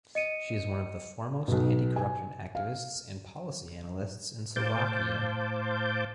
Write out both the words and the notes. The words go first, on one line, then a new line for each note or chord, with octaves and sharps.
She is one of the foremost anticorruption activists and policy analysts in Slovakia.
D#5 C#7 D#7
B1 B2
G#5
F5
A2 C5 F5 A5 D6 G6